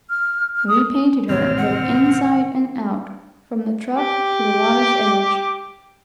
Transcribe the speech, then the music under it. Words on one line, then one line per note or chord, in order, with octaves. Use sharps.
We painted her, both inside and out, from the truck to the water's edge.
F6
F6
D#6
A1 D#2 G#2 C3 D#3 C4 C#5 F6
F#5
G4 D6